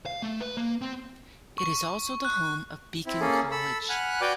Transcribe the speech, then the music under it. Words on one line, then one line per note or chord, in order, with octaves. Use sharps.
It is also the home of Beacon College.
F5
A3
B4
A#3
C4
C#6
F#6
C4 E4
A#3 C#4 G#4 A4
A4 B5 E6
F#5 G#5 B5 F6 F#6
F#4 B4 D5 G5 G#5 D6